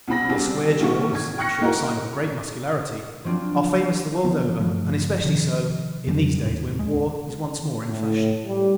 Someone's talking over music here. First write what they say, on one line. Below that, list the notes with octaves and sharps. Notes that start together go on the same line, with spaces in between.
Their square jaws--the sure sign of great muscularity--are famous the world over and especially so in these days when war is once more in fashion.
C2 B2 C4 B5 A#6
G3 B3 C4 D4 F#4 G#4
A#1 D#3 E4 F#4 C#6
G#1 G#6
G5 C#6 F6 F#6 A#6 C#7
A#3 D#4 E4 F#4 A#4
F3 F#3 C4 D4 F4
D3 E3 F3 B3
G2 F3 A3
C3 D#3 F3
F2 C#3 F#3 G3
D#2 A2
D1 G#3
A2
G3